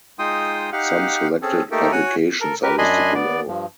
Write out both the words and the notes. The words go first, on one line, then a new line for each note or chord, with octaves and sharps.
Some selected publications are listed below.
G#3 D#4 F4 G5 C6 D#6
D#4 G4 F5 F#5
C4 C#4 G#4 A4
A3 A#3 D#4 G4 A4 A#4
F#4 C#5 F#5 G#5
A4 A#4
G4 A#4 B4
F#2 D4 D#5 G#5 B5 C6
B3 D5
G2 F3